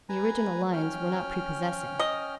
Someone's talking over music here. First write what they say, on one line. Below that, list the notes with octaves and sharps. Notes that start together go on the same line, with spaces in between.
The original lines were not prepossessing.
B4 G#5 A#5
C#4 G5 F6
D#5